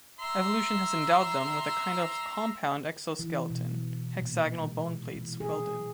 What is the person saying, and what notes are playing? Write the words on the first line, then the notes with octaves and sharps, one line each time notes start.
Evolution has endowed them with a kind of compound exoskeleton hexagonal bone plates welded.
E5 A#5 C6
E3
B2
A#2
G#3
E3
G#4